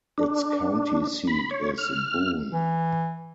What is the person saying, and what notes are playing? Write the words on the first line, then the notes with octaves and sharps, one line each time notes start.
Its county seat is Boone.
D4
B5
C#5
F6
E3